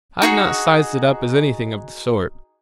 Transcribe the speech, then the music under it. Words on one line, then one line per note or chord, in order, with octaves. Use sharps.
I've not sized it up as anything of the sort.
D#4 F#4 G#4